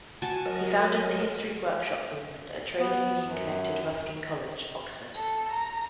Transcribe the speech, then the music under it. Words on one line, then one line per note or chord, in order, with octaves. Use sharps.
He founded the History Workshop movement at trade union connected Ruskin College, Oxford.
F#4 G#5 A5
F#3 A#4 D#5
B3
F#2
A4
A#5